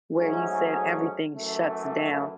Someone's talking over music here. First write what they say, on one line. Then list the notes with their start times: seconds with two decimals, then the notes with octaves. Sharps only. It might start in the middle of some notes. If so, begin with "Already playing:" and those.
where you said everything shuts down,
0.14 G#2 F#3 A3 C#4 G#4
1.35 F#2 E3 A3